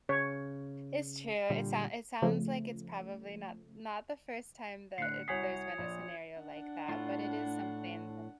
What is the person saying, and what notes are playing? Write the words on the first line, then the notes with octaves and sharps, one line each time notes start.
It's true, it sound it sounds like it's probably not not the first time that it there's been a scenario like that, but it is something to
C#3 C#5
A#2 D3 G3
C#3 F3 A3
A2 D3 F#6 C7 C#7
C2 F#4 C#5 G#5 D#6 G#6 B6 C7
A#1 D5
D4 F#5
A2 F4